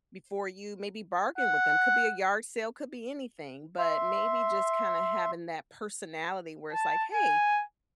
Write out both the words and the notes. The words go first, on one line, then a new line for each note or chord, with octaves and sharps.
before you, maybe, bargain with them, could be a yard sale, could be anything, but, maybe, just kinda having that personality where it's like, "Hey,
F#5
E5 C6
A5
G#5